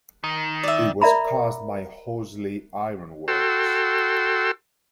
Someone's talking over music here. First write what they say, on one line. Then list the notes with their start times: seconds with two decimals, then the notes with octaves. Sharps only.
It was cast by Horseley Ironworks.
0.24 D#3
0.63 D5 E5
1.02 A#4 D5 E5 A#5 B5
3.28 F#4 A4 G5 C6 E6